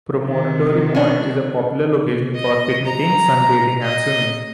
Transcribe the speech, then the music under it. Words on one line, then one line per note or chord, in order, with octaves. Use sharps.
Promontory Point is a popular location for picnicking, sunbathing, and swimming.
C3 D#3
C#4 D4
D#5
A#5
D#5